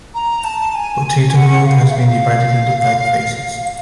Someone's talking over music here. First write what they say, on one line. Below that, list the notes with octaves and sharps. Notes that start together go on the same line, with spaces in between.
Potato growth has been divided into five phases.
A#5
A5
G#5
F#5
F5
E5
F5